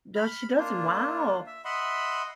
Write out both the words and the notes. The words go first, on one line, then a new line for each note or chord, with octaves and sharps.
Does she doesn't? Wow.
B5 F6
A#3 D4 F4
E5
D#5 E5 F#5 B5 C6